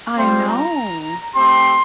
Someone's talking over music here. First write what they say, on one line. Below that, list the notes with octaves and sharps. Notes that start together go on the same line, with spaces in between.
I know.
G3 C4 F4 C5
A#5
A3 C4 G4 C6